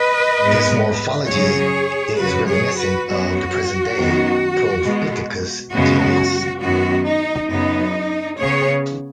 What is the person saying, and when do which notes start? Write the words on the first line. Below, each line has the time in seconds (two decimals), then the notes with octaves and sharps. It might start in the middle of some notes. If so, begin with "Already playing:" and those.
This morphology is reminiscent of the present day "Propithecus" genus.
Already playing: B4 D#5
0.41 G#2 G#3 B3
1.29 F#2 C#3 F#3 C#4 G#4 C#5
2.18 F#2 C#3 F#3 F#4 B4
2.48 G#4 C#5
2.78 F#4 B4
3.07 F#2 F#3 B3 F#4
3.96 F#2 D#3 B3
4.85 B2 G#3 B3
5.73 F#2 C#3 G#3 B3 F#4
6.62 F#2 D#3 B3 F#4
7.06 D#4
7.50 F#2 C#3 B3 D#4
8.39 C#3 B3 G#4 C#5